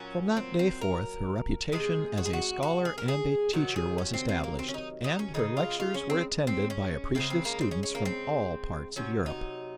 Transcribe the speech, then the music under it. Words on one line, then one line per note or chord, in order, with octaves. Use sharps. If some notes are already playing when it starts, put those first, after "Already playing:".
From that day forth her reputation as a scholar and a teacher was established, and her lectures were attended by appreciative students from all parts of Europe.
Already playing: A#2 F#3 C#4
C4
C4
A#4
C3 F3 G#3 G#4
F#4
G#4
F#4
F#4
G#4
A#4
G#4
C3 D#3 F#3 F#4
G#4
C#4
C4
C4
A#3
C4
C#4
D#4
D#4
C#4
C#3 F3 G#3 D#4
F4
F4
C#4
C4
C4
C#4
C#3 F3 G#3 C4
C4
A#3
C4
C#4
C#4
A#3
C4
C3 F#3 C#4
D#4